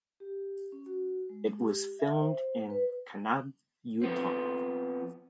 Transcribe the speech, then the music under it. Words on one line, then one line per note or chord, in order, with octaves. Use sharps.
It was filmed in Kanab, Utah.
G4
C#4
F#4
G#3
G4
E5
C5
B4
F3 B3 C4